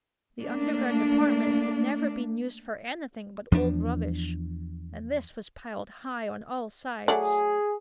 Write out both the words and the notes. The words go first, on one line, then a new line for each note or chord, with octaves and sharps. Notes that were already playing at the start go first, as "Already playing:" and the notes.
The underground apartment had never been used for anything but old rubbish, and this was piled high on all sides.
A3 A#3 D4
E2 F3 D4
F#3 A3 G#4 D5